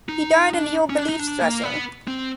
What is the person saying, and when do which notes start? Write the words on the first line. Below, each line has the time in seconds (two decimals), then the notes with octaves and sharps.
He died in the old beliefs dressing.
0.09 D#4
0.54 D4
0.90 C#4
0.97 D4
1.09 D#4
1.19 D4
1.41 A#3
1.63 B3
2.08 C4